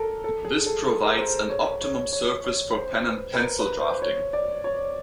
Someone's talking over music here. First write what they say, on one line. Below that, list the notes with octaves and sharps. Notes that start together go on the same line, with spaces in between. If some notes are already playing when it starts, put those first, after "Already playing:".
This provides an optimum surface for pen and pencil drafting.
Already playing: A4 A#4
A4
G#4
A4
A4
A#4
C5
C#5
C#5
C#5
C#5
C5
B4
B4
A#4
B4
C5
C#5
D5
C#5